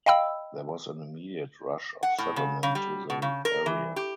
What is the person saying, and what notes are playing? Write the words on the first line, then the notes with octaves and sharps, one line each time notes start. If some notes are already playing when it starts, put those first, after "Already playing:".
There was an immediate rush of settlement to the area.
D#5 F5 G5 B5 E6
F#5
A2
C#3
C#3
G3
B2
C#3
A#4
E3
G4